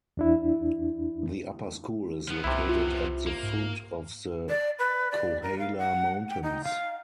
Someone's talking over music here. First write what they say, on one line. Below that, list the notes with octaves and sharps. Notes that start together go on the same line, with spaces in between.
The upper school is located at the foot of the Kohala Mountains.
E2 D4 E4
F3 B3
C2 C3 E4
F4
A#3
G#2
D5
B4
D5
A#4
F5
F#5
G5
D#4
F5